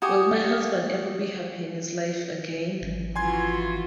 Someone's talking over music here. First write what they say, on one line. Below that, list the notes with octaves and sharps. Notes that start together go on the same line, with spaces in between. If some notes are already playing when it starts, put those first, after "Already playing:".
Will my husband ever be happy in his life again?
F#4 G4 G#5 D#6
G#1 F3 C#4
E3 F4 F#4 G#5 C6 G#6